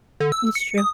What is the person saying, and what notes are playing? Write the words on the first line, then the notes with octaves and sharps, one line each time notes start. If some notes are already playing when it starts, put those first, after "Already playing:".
It's true.
D3
E6
C#7
D#6